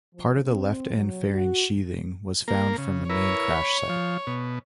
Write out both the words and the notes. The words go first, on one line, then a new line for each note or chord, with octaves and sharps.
Part of the left end fairing sheathing was found from the main crash site.
F3
C4
F#3
F#4
A#3 A#4
C#3
E4 A#4 B4 C#5
B5
F3
B2